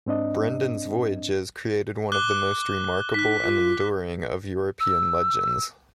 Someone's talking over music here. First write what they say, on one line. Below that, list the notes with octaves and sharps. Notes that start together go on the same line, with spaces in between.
Brendan's voyages created one of the most remarkable and enduring of European legends.
G#2 C4 D4 D#5
D6 F#6 G7
D#4 F#6 B6
F4
E6